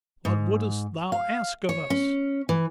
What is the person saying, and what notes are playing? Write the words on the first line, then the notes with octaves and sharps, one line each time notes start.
'What wouldst thou ask of us?
G#2
F5
C#5
C#4
E3